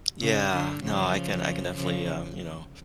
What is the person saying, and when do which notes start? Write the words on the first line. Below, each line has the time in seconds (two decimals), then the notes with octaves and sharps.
Yeah. No, I can I can definitely, um, you know,
0.22 C#3
0.53 D3
0.84 C#3 F3
1.76 C#3 F3